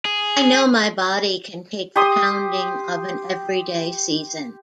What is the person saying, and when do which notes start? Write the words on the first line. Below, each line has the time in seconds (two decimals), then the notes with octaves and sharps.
I know my body can take the pounding of an everyday season.
0.05 G#4
1.96 G4 C6 D#6